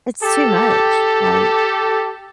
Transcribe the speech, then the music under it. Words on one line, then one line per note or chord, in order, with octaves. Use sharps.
it's too much, like,
G4 A4